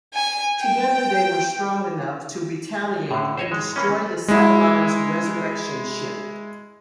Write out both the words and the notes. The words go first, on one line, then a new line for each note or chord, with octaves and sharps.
Together, they were strong enough to retaliate and destroy the Cylon's Resurrection Ship.
G#5
G5
A2 D3
C5 C#5 D#5
G#3
E3 A#3 C#4
G#3 E4